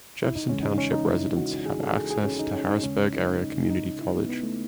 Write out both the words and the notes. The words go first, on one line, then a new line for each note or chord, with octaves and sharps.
Jefferson Township residents have access to Harrisburg Area Community College.
E4
D#4
E2 C#3 E3 G#3 C#4
D#4
C#4
D#4
E4
F#4
G#4
A4
G#4
G#4
C#4
D#4
C#4
D#4
D#2 C#3 G#3 C#4
D#4
D#4
D#4
E4
B3
B3
A3